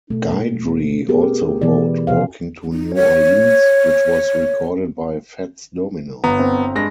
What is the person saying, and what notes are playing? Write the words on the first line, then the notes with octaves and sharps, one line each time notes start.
Guidry also wrote "Walking to New Orleans", which was recorded by Fats Domino.
B2 A3
B3 G4 G#4 A#4
B2 E3 B3 E4 D5
C3 F3 C5 F5
D#4
C#5
G1 B3 A#5
C4
G2 G#3 A#6